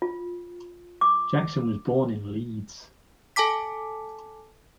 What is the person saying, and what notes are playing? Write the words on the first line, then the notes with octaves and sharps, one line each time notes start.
Jackson was born in Leeds.
F4
D6
A4 G#5 A5 D6 B6